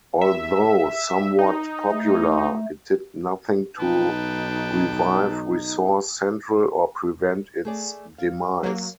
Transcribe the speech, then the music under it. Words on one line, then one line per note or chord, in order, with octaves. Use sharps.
Although somewhat popular, it did nothing to revive Resource Central or prevent its demise.
E5
D#4
A3
B1 D#4 B4 G5 A5
A3 G#4 D5
F5
F#3 A#3